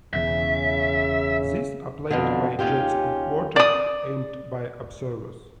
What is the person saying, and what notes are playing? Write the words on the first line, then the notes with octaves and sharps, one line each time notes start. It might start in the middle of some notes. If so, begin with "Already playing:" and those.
These are played by jets of water aimed by observers.
E1 E2 C#3 E5
F2 B2 D3
D#2 C#4 F4 G4
D5 D#6